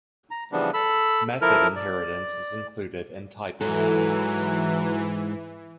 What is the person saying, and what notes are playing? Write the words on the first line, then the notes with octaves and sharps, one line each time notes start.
Method inheritance is included in type inheritance.
A#5
C#3 E3 F3 G3 B3 D4
A4 B5 E6
F3 E4 A4 A#4 F6
D5
G#2 E3 F#3 A4